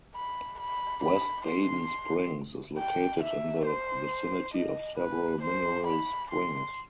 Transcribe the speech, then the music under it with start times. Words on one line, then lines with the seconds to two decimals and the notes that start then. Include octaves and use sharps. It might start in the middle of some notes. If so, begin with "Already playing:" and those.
West Baden Springs is located in the vicinity of several mineral springs.
0.15 B5
0.60 B5
1.03 B5
1.47 C6
2.78 G5
3.23 E5
3.66 C5
4.54 D#5
4.99 B4
5.42 C5
5.87 B5
6.31 C6